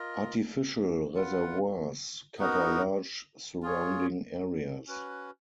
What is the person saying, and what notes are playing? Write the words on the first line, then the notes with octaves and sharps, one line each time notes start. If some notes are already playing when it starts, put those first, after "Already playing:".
Artificial reservoirs cover large surrounding areas.
Already playing: F4 A#4 D#5
F4 B4 F#5
B3 D#4 F#4 A#4
F4 G#4 C#5
C#4 F#4 B4